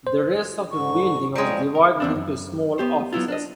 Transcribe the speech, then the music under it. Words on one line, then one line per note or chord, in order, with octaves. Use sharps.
The rest of the building was divided into small offices.
C5
G#2 D3 C#6
A2 F3 G3 G#3 C4 A#5
A#4
E2 C4 D4
F#2
B3 G4 C5
F#3 B3 E4 F4
D4 D#5